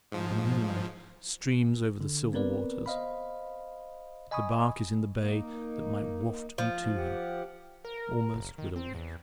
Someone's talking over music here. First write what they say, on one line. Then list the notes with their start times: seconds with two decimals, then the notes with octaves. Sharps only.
The moonlight streams over the silver waters: the bark is in the bay that might waft me to her, almost with a wish.
0.12 G#2 F3
2.01 D3
2.33 B3 C4 A#4 B4 D5
2.86 C5 D#5 F5 B5
4.31 D#5 G#5 B5 C#6 D#6
5.18 A#3 D#4
6.58 F3
6.96 G4 F#5
7.85 A#4
8.34 F#1
8.58 D#3
8.76 C4
8.94 E2